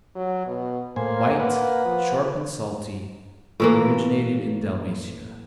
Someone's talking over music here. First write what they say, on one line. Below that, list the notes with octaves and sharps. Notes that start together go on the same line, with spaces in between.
White; sharp and salty; originated in Dalmatia.
F#3
B2
A2 A#3 C5 G#5
A#3 B4 F#5
F3
A2 E3 A#3